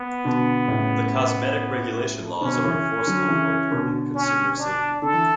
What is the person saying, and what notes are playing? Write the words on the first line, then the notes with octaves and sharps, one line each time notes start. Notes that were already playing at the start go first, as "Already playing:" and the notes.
The cosmetic regulation laws are enforceable for important consumer safety.
Already playing: B3
B2 D3
A2 C#3
B2 D3 C#4
C#3 E3
D3 F#3
C#3 E3
B2 D3
C#4
D4
D3 A4
E3